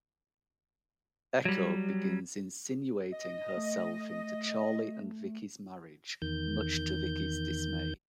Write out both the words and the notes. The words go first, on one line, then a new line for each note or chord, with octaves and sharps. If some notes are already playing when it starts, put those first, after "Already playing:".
Echo begins insinuating herself into Charlie and Viki's marriage, much to Viki's dismay.
F#3 G3
D#5
A3
E2 D#3 G6